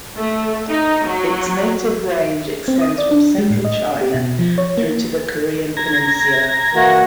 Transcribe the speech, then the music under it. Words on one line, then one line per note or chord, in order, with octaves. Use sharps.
Its native range extends from Central China through to the Korean peninsula.
A3
D#4
F#3
C4
D#6
D5
D4
G#3
A2
D#5
G4
B2
F3
C#5
A#3
A#5 G#6 A#6
E3 A#3 F#4